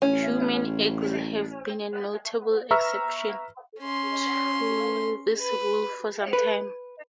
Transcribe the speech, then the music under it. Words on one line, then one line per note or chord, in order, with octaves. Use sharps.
Human eggs have been a notable exception to this rule for some time.
A1 C#4
B4 E5 A#5 C#6 E6 F6
C#4 C6
B4
B4